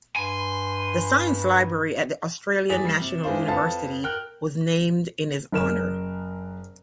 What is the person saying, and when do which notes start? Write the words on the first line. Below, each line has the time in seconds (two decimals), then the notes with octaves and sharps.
The science library at the Australian National University was named in his honour.
0.16 G2 G#5 B5 C6
2.70 E2 G#4 A6 B6
2.85 G3 C7 E7
3.01 C3
3.23 E3 G#3 D4 F4 C5
3.48 F2 A4 B4 F5 A5 A6
4.04 A#4 G5 F6 F#6
5.52 F#1 A#4 E7